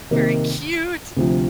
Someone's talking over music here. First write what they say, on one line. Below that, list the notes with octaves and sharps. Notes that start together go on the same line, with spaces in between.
very cute.
C3 D#3 A#3 D#4
D2 C3 F3